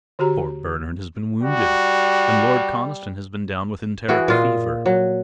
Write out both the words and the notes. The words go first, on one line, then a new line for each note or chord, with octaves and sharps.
"Poor Bernard has been wounded and Lord Conniston has been down with enteric fever."
D3 F#4 G4 A#5
G3 F#4
E3 F#4 G#4 G5
A#2 F4 D#5
F#3